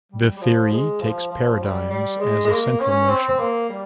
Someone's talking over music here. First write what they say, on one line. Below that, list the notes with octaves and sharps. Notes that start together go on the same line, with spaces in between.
The theory takes paradigms as a central notion.
G3
G3
F3
G#3
F3
F3
G3
G3
G#3
G#3
A#3
C#4
C4
C4
A#3
G3